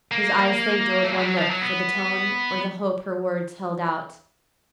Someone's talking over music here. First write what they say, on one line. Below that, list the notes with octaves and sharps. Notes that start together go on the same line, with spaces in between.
His eyes thanked her with one look for the tone or the hope her words held out.
A#3
A3
G#3
G3
F#3
F3
F#3
B3